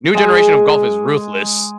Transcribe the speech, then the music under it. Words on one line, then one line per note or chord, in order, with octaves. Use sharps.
New generation of golf is ruthless.
G#3 G#5